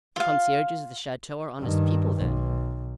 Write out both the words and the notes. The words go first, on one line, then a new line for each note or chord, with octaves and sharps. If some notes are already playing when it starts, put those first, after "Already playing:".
"The concierges of the chateau are honest people, then?"
F4 F5
G2 D#3
B1